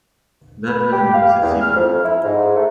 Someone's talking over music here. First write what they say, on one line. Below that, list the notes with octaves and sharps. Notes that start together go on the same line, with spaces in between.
That animal is a Zebra.
B4
G4
F5
E2
F6
F2
E4
G#2
A3